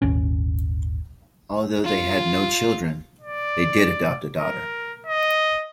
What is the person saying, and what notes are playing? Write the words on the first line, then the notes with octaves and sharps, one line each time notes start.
Although they had no children, they did adopt a daughter.
D#1 G#1 C#4
F4
D5
A#4
D#5